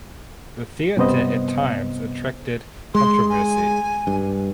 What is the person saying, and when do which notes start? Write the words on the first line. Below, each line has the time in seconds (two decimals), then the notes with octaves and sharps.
The theater at times attracted controversy.
0.97 G2 C3 B3 C5 D#5
2.95 G#3 C6
3.30 G#5
4.07 G2